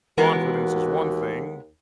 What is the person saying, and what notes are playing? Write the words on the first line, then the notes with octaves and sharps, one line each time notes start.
confidence is one thing,
D#2 E3 G#3 B3 F#4 A#4